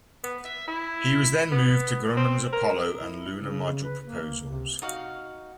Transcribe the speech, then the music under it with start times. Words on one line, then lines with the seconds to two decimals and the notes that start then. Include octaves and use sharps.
He was then moved to Grumman's Apollo and Lunar Module proposals.
0.24 B3
0.45 E5
0.68 E4
1.52 B3
2.17 C4
2.53 A#4
2.99 E4
3.39 C#3
3.84 B4
4.04 A#3
4.48 C3
4.82 D#4 F#4 F5